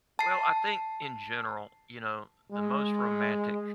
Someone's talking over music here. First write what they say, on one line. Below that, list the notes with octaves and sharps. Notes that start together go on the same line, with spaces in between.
well, I think in general, you know, the most romantic
A5 C7
G#3